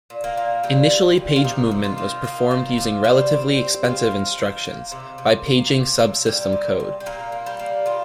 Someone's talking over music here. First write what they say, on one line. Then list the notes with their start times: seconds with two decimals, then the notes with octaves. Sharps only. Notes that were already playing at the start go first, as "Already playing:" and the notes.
Initially page movement was performed using relatively expensive instructions, by paging subsystem code.
0.10 A#2
0.24 A#3 A#4
0.37 A#2
0.63 A#2 G3 G4
0.90 A#2
1.17 A#2
1.36 F4
1.44 C3 D#4
1.71 C3
1.84 F4
1.98 D#3
2.24 A#3 D#4
2.51 D#3 F4
2.78 C3 F4
3.04 G3 C4 G4
3.32 C4
3.58 C4
3.85 D#3 F4
4.11 D#3
4.38 D#3
4.65 A#3
4.92 C3
5.18 C3
5.46 A#3
5.73 C3
5.99 C3
6.26 A#2 G3 G4
6.53 A#2
6.80 A#2
7.00 G4
7.06 A#2 A#3 A#4
7.32 A#3
7.46 G3 G4
7.59 A#3
7.86 D#3 F4